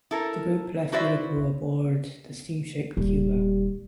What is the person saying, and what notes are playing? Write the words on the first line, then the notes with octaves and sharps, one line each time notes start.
The group left Liverpool aboard the steamship "Cuba".
E4 A4 A#4
E4 F#4 B4 C5 D5 E5
D#1 G3